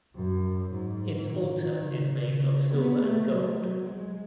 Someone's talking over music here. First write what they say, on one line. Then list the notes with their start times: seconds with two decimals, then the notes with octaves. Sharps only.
Its altar is made of silver and gold.
0.15 F#2
0.72 G#2
1.29 D#3
1.57 D#3
1.86 C#3
2.15 C#3
2.72 B3
3.00 A3
3.28 F#3
3.56 F#3
3.86 G#3